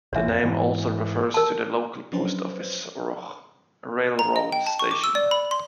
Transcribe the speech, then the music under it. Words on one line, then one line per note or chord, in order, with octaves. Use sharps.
The name also refers to the local post office or railroad station.
A#1 E3 C#5 E5
F2
G#2 E3
A#4 A5
F3 F#3 C#4 D4 B4 C5
A#5
D#5
G5
A5
C#6
D6
E6
D5
B5
C6